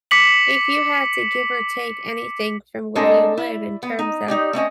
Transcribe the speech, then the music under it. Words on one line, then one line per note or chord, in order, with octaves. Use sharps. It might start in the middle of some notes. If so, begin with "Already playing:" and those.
if you had to give or take anything from where you live in terms of
D6 B6 C#7 F#7
G#3 C4 D4 A4 A#4 D#5
E4
B3
D#4
D#4 G4 D5
A3 C4 C#4 D#5